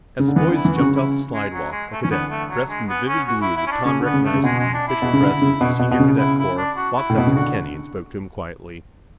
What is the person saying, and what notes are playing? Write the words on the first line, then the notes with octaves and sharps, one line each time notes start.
As the boys jumped off the slidewalk, a cadet, dressed in the vivid blue that Tom recognized as the official dress of the Senior Cadet Corps, walked up to McKenny and spoke to him quietly.
C#3
D3
E3 B3
D3
E4
E3
C#3 F#4
E4
G#3
F#3
G#3
A3
E3 C#4
D3 B3
A3
F#3
G#3
B3
C#4
F#4
E4
E4
C#4
D4
C#3 C#4
D3
B3
C#3
A3
C#3
B2 G#3
G#3
D4
E4
B2
C#3
D3
C#3
B2
B2
B2
C#3
E4
E4
D4
F#4
E4
A2
B2 E4
C#3
D3 F#4